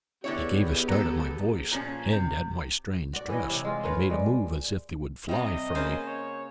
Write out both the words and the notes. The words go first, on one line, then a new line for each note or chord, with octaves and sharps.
They gave a start at my voice and at my strange dress, and made a move as if they would fly from me.
D3 B3 E4 G4 G#4 C#5
F#3 A4
A#2 F3 C#4
C3
F#4 D5
E3 B4 C#5 D#5
C3 C#5
G#3 F4
F4 A#4 B4 C#5
G3 G#3
C3 G3 D#5
C#3 A#3 C5
C#5